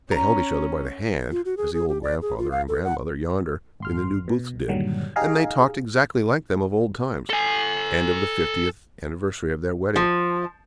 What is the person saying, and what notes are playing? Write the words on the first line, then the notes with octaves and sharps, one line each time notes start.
They held each other by the hand, as the old grand-father and grand-mother yonder in the New Booths did, and they talked exactly like them of old times, and of the fiftieth anniversary of their wedding.
C#4 A#5
F4
F#4
G#4
G#4
G4
D5
G#4
F4
F5
A4
F#5
G#1 C6 F6
B2
G2 A#2 D3 D#3 F#3 G3
D#4 G4 G#4 F5 A#5
A4 G#5
F3